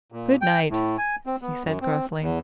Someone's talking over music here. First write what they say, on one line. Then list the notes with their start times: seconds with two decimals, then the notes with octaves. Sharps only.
"Good-night!" he said gruffly.
0.12 A#2
0.41 G5
0.70 A2
0.98 G#5
1.26 C4
1.42 B3
1.64 F#2
1.81 C4
2.21 E2